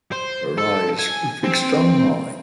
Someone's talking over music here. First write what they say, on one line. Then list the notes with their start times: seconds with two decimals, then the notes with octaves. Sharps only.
Her eyes were fixed on mine.
0.12 C5
0.58 A4
0.99 G#5
1.44 C4